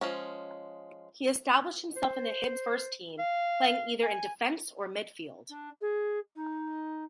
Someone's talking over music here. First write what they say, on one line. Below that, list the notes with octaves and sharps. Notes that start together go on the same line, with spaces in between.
He established himself in the Hibs first team, playing either in defence or midfield.
F3 G#3 C#4
C5
F5
G#5
D4
G#4
D#4